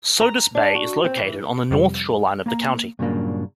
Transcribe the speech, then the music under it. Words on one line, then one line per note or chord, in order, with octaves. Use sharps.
Sodus Bay is located on the north shoreline of the county.
A#5
D4
F#4
C4
E3
F2 C3 G3
A#3 A#5
G2 A#2 C#3 F#3 A#3 D4